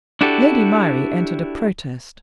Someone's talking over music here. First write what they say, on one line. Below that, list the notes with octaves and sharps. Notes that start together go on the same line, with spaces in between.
Lady Myrie entered a protest.
D4 E4 F#4 G4 A4